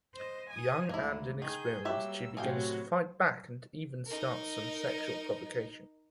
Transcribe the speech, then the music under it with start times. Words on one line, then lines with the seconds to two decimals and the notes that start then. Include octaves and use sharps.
Young and inexperienced, she begins to fight back and even starts some sexual provocation.
0.15 C5 D#5
0.50 G#5 D#6
0.89 D2 G#2 A#3 E4
1.42 D#3 G#4 G6
1.85 F#3 G3 A#3 G4 E5 E6
2.37 A2 C3 F#3 G#4 F5 G5
4.07 D#4 A#4